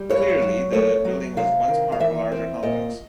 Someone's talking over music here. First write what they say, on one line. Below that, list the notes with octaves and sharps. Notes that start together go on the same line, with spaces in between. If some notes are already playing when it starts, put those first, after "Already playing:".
Clearly, the building was once part of a larger complex.
Already playing: G3
G2 C#5
F#3
A3 C#5
F#3
C3 F5
D#3
F5
E3 E5
C4
A#2 D#5